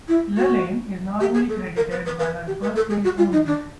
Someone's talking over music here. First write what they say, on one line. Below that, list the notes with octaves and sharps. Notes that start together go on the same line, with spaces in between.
Lalaine is normally credited by her first name only.
E4
F#4
G4
G#4
A4
A#4
B4
B4
B4
G4
B4
A4
G#4
F#4
F4
D#4
D4